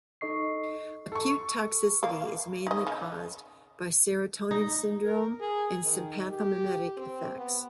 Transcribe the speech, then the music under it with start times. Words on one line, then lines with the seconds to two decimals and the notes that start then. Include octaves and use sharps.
Acute toxicity is mainly caused by serotonin syndrome and sympathomimetic effects.
0.21 D#4 A4 D#5 C#6 C7
1.12 A4 C#6
2.03 A#3 F5
2.67 D#4 D#5
2.87 C#3
4.51 D#4
5.05 A#4
5.40 G#4
5.84 D#3
6.29 G4
6.97 C4
7.37 B3